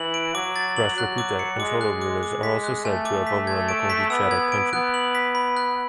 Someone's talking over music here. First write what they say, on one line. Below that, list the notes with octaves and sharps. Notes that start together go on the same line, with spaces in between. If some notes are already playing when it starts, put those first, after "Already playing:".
Rashtrakuta and Chola rulers are also said to have overrun the Kongu Chera country.
Already playing: E3 F#7
D7
F#3 D6
A6
F#7
F#3 F#6
D6
C#7
G#3 D6
F#6
D6
D6
B6
F#6
A3 G#5
D6
B6
G#6
D7
B6
B3 E6
G#6
D7
B3 F#6
F#7
B6
B5
F#6